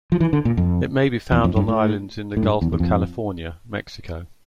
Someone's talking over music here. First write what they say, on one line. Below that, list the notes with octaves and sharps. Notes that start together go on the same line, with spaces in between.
It may be found on islands in the Gulf of California, Mexico.
F3
E3
D3
A#2
F2
E2
F2
G2
A2
A2
G2
E2
E2
F2